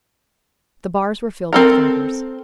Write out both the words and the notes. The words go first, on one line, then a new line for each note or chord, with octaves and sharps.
The bars were filled with drinkers.
C4 A4 A#4